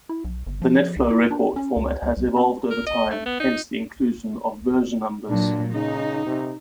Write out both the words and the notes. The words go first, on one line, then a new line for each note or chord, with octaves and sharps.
The NetFlow record format has evolved over time, hence the inclusion of version numbers.
E4
B1
G1
F3
C2
E4
D4
C#4
C#2
C#2
C2
C4
A#4
D#5
A3
B3
D#4
A#2 F#3 D4
C#3 D#4
C3